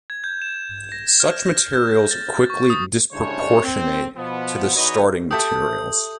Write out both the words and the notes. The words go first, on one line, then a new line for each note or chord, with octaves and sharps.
Such materials quickly disproportionate to the starting materials.
G#6
G6
E7
A#6
F6
A#6
G6
A6
C#6
D#6
C#3 G3 D4 E4 C5 C#5
C4
B2 F3 B3
E2 D#4 F#4 B4 C#5 D#5
G4 A4 E5 D#6 G6